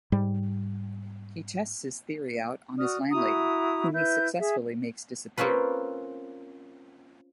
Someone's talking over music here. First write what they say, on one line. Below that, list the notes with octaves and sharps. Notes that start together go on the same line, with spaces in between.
He tests his theory out on his landlady, whom he successfully makes disappear.
G#2 G3
F#4 D5 D#6 F6
E4 F#4 A#5 D#6
E4 B4 E5 G6
G#4 E5
A#3 C4 C#4 F4 B4